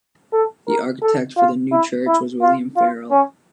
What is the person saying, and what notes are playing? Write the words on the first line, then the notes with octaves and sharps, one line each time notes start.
The architect for the new church was William Farrell.
A4
A#4
A4
F4
E4
E4
F4
F4
C#4